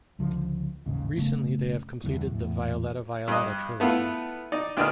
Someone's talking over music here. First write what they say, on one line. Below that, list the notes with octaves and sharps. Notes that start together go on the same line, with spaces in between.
Recently they have completed the "Violeta Violeta" trilogy.
C#2 D3 E3 F3
A1 D#2 G#2 C#3
F#2 C#3 A3 B3
E2 G2 D3
E2 A2
G2 D#5
A3 B3 E4 F4
D#4 D5
D2 D3 D4 B4 D#5 F6